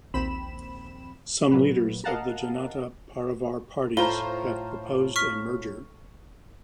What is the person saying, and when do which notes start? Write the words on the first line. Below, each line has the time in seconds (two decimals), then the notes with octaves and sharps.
Some leaders of Janata Parivar parties have proposed a merger.
0.14 A#1 D#2 C4 B5 E7
1.51 A#2 F#3 B4
2.04 A#4 D#5 F5 F#5 A5 A#5
3.97 A2 F4 C5 A#5 G7
5.16 C#6 F6 B6